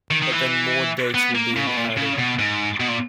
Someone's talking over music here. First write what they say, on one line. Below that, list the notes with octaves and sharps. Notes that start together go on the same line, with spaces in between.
But then more dates were being added.
D#3
D#3
E3
B3
A#3
C#3
B2
A#2
C#3
B2
G#2
B2
A#2